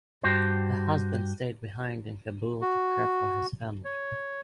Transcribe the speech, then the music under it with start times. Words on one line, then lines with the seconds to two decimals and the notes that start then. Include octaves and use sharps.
Her husband stayed behind in Kabul to care for his family.
0.23 G2 F#4 G4 C5
2.62 F#4
3.85 C#5